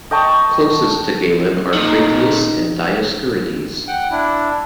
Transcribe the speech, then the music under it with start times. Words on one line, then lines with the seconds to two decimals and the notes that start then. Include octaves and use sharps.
Closest to Galen are Crateuas and Dioscurides.
0.11 D#5 G5 A5 C#6
1.74 A#2 D#3 D#4
3.88 F#5 G5
4.11 D4 E4